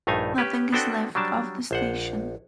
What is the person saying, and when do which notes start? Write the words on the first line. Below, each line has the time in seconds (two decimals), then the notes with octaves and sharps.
Nothing is left of the station.
0.07 A#1 G2 A3 D#4 F5 G#5
0.38 C#4 G4 B4
0.73 B3 C4 D4 F#4 A4 G5
1.15 F#3 G3 D4 A5
1.71 A#1 C5 F#5